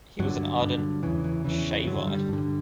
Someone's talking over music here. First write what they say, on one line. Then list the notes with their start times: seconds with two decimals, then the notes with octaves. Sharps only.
He was an ardent Shaivite.
0.19 G2 D3 F#3
0.62 G2 D3
1.03 E2 C#3 E3
1.24 E3
1.44 E2 C#3 E3
1.87 G2 D3 F#3
2.07 G3
2.29 G2 D3